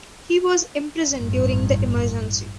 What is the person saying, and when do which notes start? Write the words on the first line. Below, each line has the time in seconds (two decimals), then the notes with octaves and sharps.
He was imprisoned during the emergency.
1.10 A1 G2